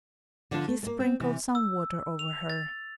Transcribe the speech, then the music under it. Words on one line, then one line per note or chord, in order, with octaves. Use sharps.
He sprinkled some water over her.
D3 F3 D4 F4
A3
A3 A#3
C4
C3 E3
E6
F7
A6